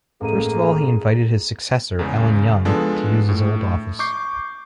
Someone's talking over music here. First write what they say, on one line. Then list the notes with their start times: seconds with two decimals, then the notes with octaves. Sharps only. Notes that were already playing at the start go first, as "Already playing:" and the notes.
First of all he invited his successor, Ellen Young to use his old office.
0.21 A1 A#3 G#4 A4 A#5 D#7
1.99 E2 C#3 G#3
2.65 F3 G#3 B3 D4 A4
3.29 A2
3.99 C#6 D6 G6 C7